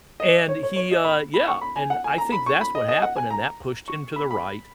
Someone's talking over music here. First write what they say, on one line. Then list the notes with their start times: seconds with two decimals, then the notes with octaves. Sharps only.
and he, uh yeah, and I think that's what happened, and that pushed him to the right,
0.20 D#5
0.48 C#5
0.63 C#5
0.76 C#5
0.91 D#5
1.05 B5
1.34 B5
1.47 C#6
1.61 B5
1.76 G#5
1.90 F#5
2.04 G#5
2.18 A#5
2.32 B5
2.46 C#6
2.61 B5
2.75 D#5
2.89 D#5
3.02 F#5
3.16 G#5
3.30 A#5
3.88 C#6
4.16 B5
4.31 B5